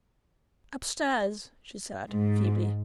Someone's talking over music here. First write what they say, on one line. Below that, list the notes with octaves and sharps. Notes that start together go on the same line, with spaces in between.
"Up stairs," she said, feebly.
G#2